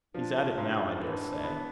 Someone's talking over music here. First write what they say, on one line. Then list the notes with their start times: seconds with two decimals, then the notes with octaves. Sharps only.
He's at it now, I daresay.
0.14 F3 D4
0.58 G#2
1.00 E3
1.44 B3